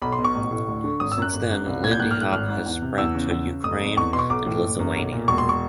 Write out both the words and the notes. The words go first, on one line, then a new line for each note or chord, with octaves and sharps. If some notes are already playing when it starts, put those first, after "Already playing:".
Since then, Lindy Hop has spread to Ukraine and Lithuania.
B1 B5
C6
B2
C#6
A1
A2
D2
D3
G#1 D#6
E6
F#2 F#6
G1
F#2
C2
A#2 G#6
G6
A#1 F#6
A2 F6
F#6
G#1 F6
G#2
E2
C3
E2 E6
C#3
E2
C#3
F1 D#6
F2
E2 C#6
B2 C6
C#6
B1 D6
A2
F#1
F#2
B1
A#2
E1 C#6
C6
C#6